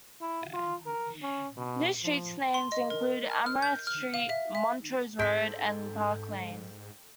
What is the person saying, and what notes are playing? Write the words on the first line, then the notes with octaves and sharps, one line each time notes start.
New street names include Amaranth Street, Montrose Road and Park Lane.
E4
F4
A#4
C#4
B2
F3
C6
D#5
A#4
F6
F6
G6
F6
F5
E5
E5
G#2 C4 G#4 A4 G6 B6 D7